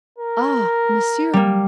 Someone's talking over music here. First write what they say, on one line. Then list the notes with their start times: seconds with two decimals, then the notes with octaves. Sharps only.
"Ah, monsieur!"
0.19 A#4
1.33 G3 A#3